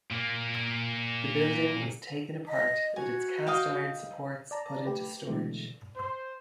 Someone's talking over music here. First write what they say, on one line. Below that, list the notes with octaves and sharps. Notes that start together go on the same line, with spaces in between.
The building was taken apart and its cast-iron supports put into storage.
A#2 A#3
D#5
F#4 G#5
D#5 F5 G5
D5 A5 A#5
A3 G4 B4
B2 D3 E3 G#3 A3
C5